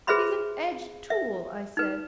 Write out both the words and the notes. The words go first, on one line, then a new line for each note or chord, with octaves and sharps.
'He's an edged tool,' I said.
G#4 B4 C5 E5 B5 C6
E5
D#4 B4